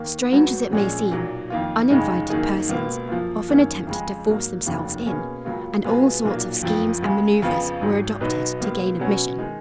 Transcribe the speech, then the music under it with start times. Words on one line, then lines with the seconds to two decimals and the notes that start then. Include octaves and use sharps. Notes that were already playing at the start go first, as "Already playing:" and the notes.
Strange as it may seem, uninvited persons often attempted to force themselves in, and all sorts of schemes and maneuvers were adopted to gain admission.
Already playing: D#2 D#3 A#3
0.32 G#1 G#2 F#3 B3 F#4
0.72 A#1 A#2 G#3 C#4 G#4
1.11 B1 A#2 F#3
1.50 F2 D#3 A#3 F4
1.90 F1 D#2 C#3 G#3 D#4
2.30 F#2 D#3 A#3 D#4 G#4
2.69 C#2 B2 A#3
3.09 F#2 F3 A#3 F4
3.48 F#2 D#3 A#3 C#4
3.87 F2 C#3 G#3
4.26 G#2 F#3 A#3
4.66 F1 D#2 C#3 F#3 A#3
5.06 B2 A#3 C#4 G#4
5.45 C#2 C#3 F#3 A#3 F4
5.84 B1 B2 G#3 B3 F4
6.24 B1 A#2 F#3 A#3
6.63 F#1 F2 F3
7.03 C#2 C#3 G#3
7.42 F2 C#3 F3 B3 F4
7.82 G#1 G#2 F#3
8.20 B1 B2 F#3 B3 D#4
8.60 C#2 B2 A#3
8.99 B2 F#3 C#4 F#4
9.38 D#3 G#3 D#4